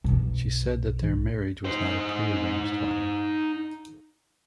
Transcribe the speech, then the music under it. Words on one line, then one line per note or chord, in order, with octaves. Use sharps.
She said that their marriage was not a pre-arranged one.
B1 F#2
D#4 C5